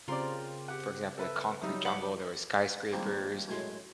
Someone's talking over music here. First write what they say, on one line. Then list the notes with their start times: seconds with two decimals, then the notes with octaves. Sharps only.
for example, a concrete jungle. There were skyscrapers,
0.08 C#3 C4 F4 G4 A#4 D5 C6
0.68 G4 F#5
1.18 A4 B4 E5
1.62 F#3 G3 D#4 E5
1.85 F#5 B5 D6
2.92 D#3 F3 G3 G#3 A#3 C4
3.48 F#2 A2 G#3 G#5 C6